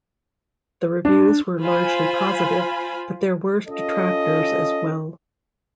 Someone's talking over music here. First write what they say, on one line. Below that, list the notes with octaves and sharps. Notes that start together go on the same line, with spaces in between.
The reviews were largely positive, but there were detractors as well.
D4
F4 C5 F5 G#5 B5
C#4 F4 A4 D#5